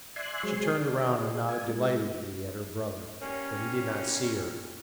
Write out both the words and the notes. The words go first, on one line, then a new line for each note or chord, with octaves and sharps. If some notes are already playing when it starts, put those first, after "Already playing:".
She turned around and nodded delightedly at her brother, but he did not see her.
D5 E5 G#5 C6 F#6
F#3 G#3 G#4 C5 C#5 C6
D5
G#4
G#5
G#3
G3 A#3 C#4